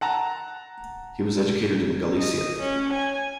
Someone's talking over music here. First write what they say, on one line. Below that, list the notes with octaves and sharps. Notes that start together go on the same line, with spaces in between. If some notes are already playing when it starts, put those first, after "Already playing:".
He was educated in Galicia.
F#5 A5 A#5
D#5
C#4
G#5